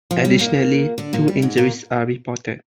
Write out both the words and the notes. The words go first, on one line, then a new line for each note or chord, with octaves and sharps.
Additionally, two injuries were reported.
F3
G3
A#2 A#3
D3 D4
A#2 A#3
G3
G#2 G#3
A#2 A#3